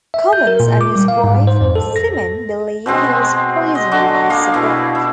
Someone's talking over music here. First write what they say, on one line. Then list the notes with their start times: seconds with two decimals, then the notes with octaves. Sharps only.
Commons and his wife, Simin, believe he was poisoned by Savak.
0.14 E5
0.33 G6
0.47 A#4
0.60 A#2
0.81 D6
0.96 G3
1.08 F5
1.24 G#2
1.47 C5
1.61 F2
1.75 A4
1.96 A#6
2.86 B2 G#3 C4 G#4
3.75 D#5
3.91 D3 F#4 D#5 D6
4.30 A#3 G#4 F5
4.54 B2 E4
4.95 E4